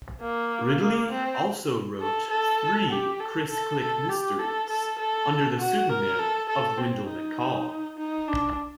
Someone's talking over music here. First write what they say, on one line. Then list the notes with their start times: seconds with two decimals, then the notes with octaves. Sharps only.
Ridley also wrote three Chris Klick mysteries under the pseudonym of Wendell McCall.
0.22 A#3
0.82 A#3
1.11 C4
2.01 A4
2.30 A4
2.90 G4
3.20 A4
3.50 A4
3.80 A4
4.09 G4
4.39 A4
4.70 A4
4.99 A4
5.59 F#4
5.90 A#4
6.19 A4
6.49 A4
6.78 C4
7.09 D#4
7.98 D#4
8.28 D4